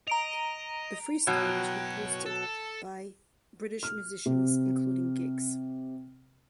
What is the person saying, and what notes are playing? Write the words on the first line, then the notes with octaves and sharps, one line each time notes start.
The freestyle was reposted by British musicians including Giggs.
D#5 A#5 D7 F7
B2 F#3 C#5 G5
A4
F6
C3